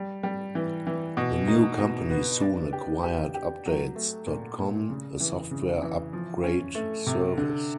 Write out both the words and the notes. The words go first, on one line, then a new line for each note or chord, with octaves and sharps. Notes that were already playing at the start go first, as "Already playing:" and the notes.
The new company soon acquired Updates dot com, a software upgrade service.
Already playing: G3
G3
E3
E3
B2
D#4
B2
B3
D4
G4
G4
G4
F#3
A3
A#2
A#2
C#3
E3
C#3
E3
F3
C#4
A3
C3
D3